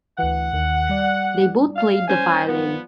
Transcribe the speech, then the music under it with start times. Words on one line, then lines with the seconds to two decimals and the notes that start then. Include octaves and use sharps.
They both played the violin.
0.18 D2 E3 F#5
0.53 D#2 D#3
0.89 G3 D5
1.76 F5
2.08 C#4 C5 G#5
2.48 F3 B3